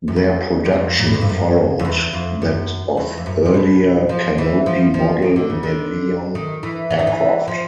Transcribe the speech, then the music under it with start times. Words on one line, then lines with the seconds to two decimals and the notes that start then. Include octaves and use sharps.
Their production followed that of earlier canopy-model Navion aircraft.
0.08 F#2
0.16 F2
0.65 F#2
0.73 F2
0.99 A#2
1.07 A2
1.14 G#2
1.21 G2
1.29 F#2
1.79 F2
1.85 E2
2.13 F2
2.42 F#2
2.97 E2
3.18 F2
3.26 F#2
3.45 C3
3.54 B2
4.09 F3
4.38 E3
4.66 F3
4.94 F3
5.22 D#3
5.36 D3
5.50 C#3
5.63 D3
6.35 D#3
6.63 E3
6.90 E3
6.99 D#3
7.07 E3
7.48 F3